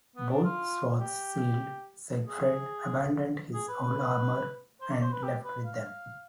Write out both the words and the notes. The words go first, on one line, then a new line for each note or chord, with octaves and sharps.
Both swords sealed, Siegfried abandoned his old armor and left with them.
B3
D4
F4
G4
G#4
G#4
B4
B4
C5
D5
C5
B4
G4
B4
F5